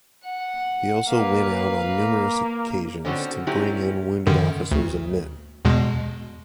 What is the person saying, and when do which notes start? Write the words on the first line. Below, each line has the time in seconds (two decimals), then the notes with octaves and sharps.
He also went out on numerous occasions to bring in wounded officers and men.
0.24 F#5
1.08 A#3 B4 F5
1.86 A#3
3.05 D3 C4 C#4 F#4 A4
3.47 F#3 A3 C4 C#4 E4 G4
4.27 F#2 D3 D#3
4.71 D2
5.65 E2 B2 G#3